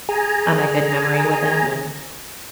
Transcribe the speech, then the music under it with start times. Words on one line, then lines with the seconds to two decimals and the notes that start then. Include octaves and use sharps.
on a good memory with him, and
0.09 G#4 G#5 A#5